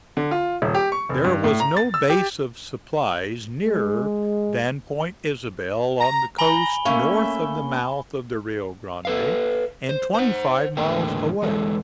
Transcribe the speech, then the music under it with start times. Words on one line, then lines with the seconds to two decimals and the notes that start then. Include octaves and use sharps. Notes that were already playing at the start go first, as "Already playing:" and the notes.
There was no base of supplies nearer than Point Isabel, on the coast, north of the mouth of the Rio Grande and twenty-five miles away.
0.17 D3
0.31 F4
0.62 D#1
0.75 G4
0.92 C#6
1.09 F1
1.24 G2
1.44 A2
1.60 A#5
1.77 A6
1.94 E6
2.09 G4
3.64 G#3
6.00 A#5
6.39 G#5 A#5 B5 G7
6.85 A3 A#3 C#4 E5 F5
9.05 A4 B4 F5
9.89 C5
10.14 C5 F#5
10.77 E2 A2 D3 A#4 G5
11.42 E2 G#3 A4